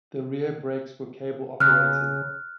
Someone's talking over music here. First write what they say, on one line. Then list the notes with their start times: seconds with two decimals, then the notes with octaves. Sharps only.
The rear brakes were cable-operated.
1.60 C#3 F6 F#6